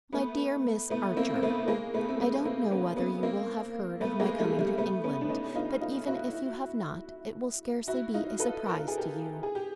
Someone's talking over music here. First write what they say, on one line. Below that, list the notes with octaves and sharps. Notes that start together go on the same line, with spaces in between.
MY DEAR MISS ARCHER--I don't know whether you will have heard of my coming to England, but even if you have not it will scarcely be a surprise to you.
A3 B3
A3 B3
A#3 C4
C4
A3 B3
G#3 A#3
A3 B3
C4
A3 B3
A#3 C4
B3 C#4
B3 C#4
A#3 C4
A3 B3
G#3 A#3
G3 A3
G3 A3
A3 B3
B3 C#4
D4
C#4 D#4
D#4 F4
D#4 F4
E4 F#4
E4 F#4
D#4 F4
A4 B4
A#4
A4
G#4
G4 A4
G#4
G4